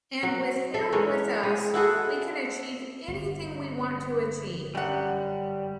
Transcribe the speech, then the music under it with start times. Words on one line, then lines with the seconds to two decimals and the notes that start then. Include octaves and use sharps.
And with him with us we can achieve anything we want to achieve.
0.23 F#3
0.74 A4 E5
0.92 E3 G#3 A#4 C#5
1.43 G#3
1.74 E4 F#4 G#4 A4
3.08 G1
4.75 F#2 G3 F#5